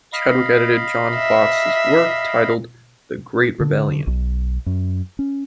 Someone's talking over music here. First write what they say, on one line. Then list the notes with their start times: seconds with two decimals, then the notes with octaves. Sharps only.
Chadwick edited John Botts' work titled "The Great Rebellion".
0.13 D#5 F5 B5
1.16 E5
3.60 D3
4.07 B1
4.66 F#2
5.19 C#4